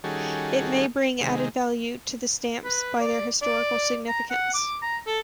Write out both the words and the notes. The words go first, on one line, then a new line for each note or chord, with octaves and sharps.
It may bring added value to the stamps by their historical significance.
D#3 G3 C#4 F#4 G#4 A4
C3 D#3 G#3
B4
D5
D5
A#5
F#5
D6
A#5
A4